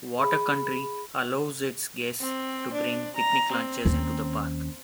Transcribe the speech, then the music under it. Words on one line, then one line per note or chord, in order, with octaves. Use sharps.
Water Country allows its guests to bring picnic lunches into the park.
G#4 B5
C4
D4
A#5
C4
D#2 C#4